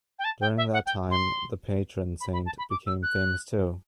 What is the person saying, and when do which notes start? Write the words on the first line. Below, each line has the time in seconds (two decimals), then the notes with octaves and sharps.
During that time the patron saint became famous too.
0.18 G5
0.24 A5
0.41 G5
0.57 E5
0.73 F#5
0.86 G5
1.10 C6
2.20 B5
2.33 B5
2.45 A5
2.58 B5
2.70 D6
2.86 E6
3.02 F#6